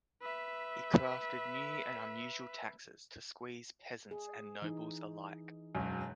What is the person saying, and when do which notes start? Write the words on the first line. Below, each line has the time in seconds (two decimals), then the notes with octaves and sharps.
He crafted new and unusual taxes to squeeze peasants and nobles alike.
0.22 B4 E5
4.11 G#4
4.62 E3 D#4
5.75 E1 F#2